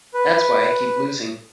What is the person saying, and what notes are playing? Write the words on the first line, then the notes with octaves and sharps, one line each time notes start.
That's why I keep losing.
B4